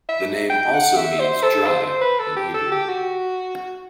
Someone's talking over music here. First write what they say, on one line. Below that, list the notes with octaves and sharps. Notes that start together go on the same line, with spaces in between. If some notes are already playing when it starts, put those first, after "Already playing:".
The name also means "dry" in Hebrew.
E5
G5
F#5
E5
C5
A4
C5
C5
B4
A4
G4
A4
G4
F#4